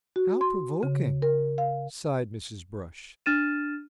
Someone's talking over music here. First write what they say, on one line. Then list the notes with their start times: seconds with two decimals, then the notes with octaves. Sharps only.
"How provoking!" sighed Mrs. Brush.
0.16 F#4
0.41 C6
0.83 C#3
1.22 A#4
1.58 F5
3.26 D4 F6 A6 D#7 E7